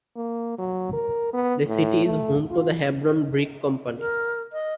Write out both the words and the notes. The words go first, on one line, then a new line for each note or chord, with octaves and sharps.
The city is home to the Hebron Brick Company.
A#3
F#3
A#4
B3
A2
A3
F4
A#4
D#5